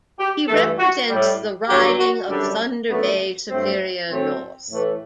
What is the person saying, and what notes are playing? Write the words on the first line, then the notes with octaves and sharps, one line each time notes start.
He represents the riding of Thunder Bay-Superior North.
G4
G2 E3 A3 A4
F#4
A2 G3
G2 D3 F#3 G4
F#4
F#2 D3 G3 D4
F#2 D3 A3 B3
G2 F#3 A3 C4
A2 F#3 A3 C4
A2 E3 A3